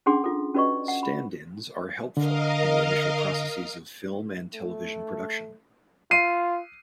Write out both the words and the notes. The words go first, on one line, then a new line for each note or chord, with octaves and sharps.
Stand-ins are helpful in the initial processes of film and television production.
C#4 D4 G#4 F#5 C6 D6
F4 A4
C#4 F#4 B4 D5 D#5 C#6
F#5
B5
D3 A#4 D#5 F5
A3
F4 C7 D#7